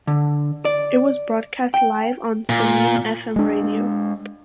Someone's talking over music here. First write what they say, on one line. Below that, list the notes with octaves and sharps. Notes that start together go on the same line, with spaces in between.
It was broadcast live on Zamin Fm radio.
D3
D5
G5
A#2
G#3 D4